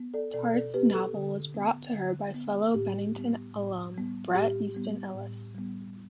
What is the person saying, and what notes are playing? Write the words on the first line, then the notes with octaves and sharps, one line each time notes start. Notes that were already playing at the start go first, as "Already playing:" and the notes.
Tartt's novel was brought to her by fellow Bennington alum Bret Easton Ellis.
Already playing: B3
A4 D5
B2 A4 D5
A4 D5
B3 G4 B4
A4
D3
B3
D3
B3
A2 G4
G3 B3
A2
G3 B3
A2 G4
G3 B3
A2
G3 B3